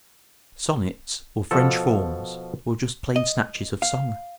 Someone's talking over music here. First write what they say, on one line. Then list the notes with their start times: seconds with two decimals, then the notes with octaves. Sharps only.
"Sonnets, or French forms, or just plain snatches of song?"
1.51 B2 F3 A4
3.16 D#5
3.82 F5